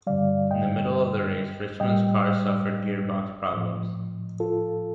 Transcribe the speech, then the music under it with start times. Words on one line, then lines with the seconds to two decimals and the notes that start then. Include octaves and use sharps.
In the middle of the race, Richmond's car suffered gearbox problems.
0.07 G2 D3 G3 D5 F5
0.51 D#5 G5
1.80 A2 G3 D#5 G5
3.53 A2 F3
4.40 F4 A4